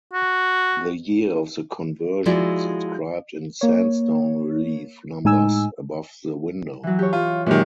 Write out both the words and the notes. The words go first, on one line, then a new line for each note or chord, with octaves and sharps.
The year of the conversion is inscribed in sandstone relief numbers above the window.
F#4
F3 G#3 E4 F#4 D5
A#3 C#5
A2 G#3 D#4 G#5 E6
E3 F#3
G4 C#5
F4
F#2 A#2 D#3 G#3 G4